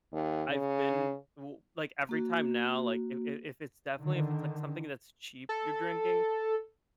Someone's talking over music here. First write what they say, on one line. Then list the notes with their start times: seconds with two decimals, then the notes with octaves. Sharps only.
I I've been w like, every time now, like, if if if it's definitely, if it's, like, something that's cheap you're drinking,
0.12 D#2
0.50 C#3
2.09 A#3 F#4
3.98 D3 D#3
5.49 A4